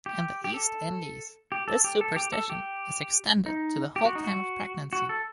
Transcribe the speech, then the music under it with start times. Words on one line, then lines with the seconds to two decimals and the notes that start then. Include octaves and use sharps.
In the East Indies this superstition is extended to the whole time of pregnancy.
0.06 G4
0.44 G4
0.54 A4
1.52 G4
1.68 A4
1.84 G4
2.01 A4
2.16 G4
2.33 A4
2.50 G4
3.46 D#4
3.96 G4
4.05 F#4
4.15 D#4
4.24 F#4
4.93 F#4
5.09 A4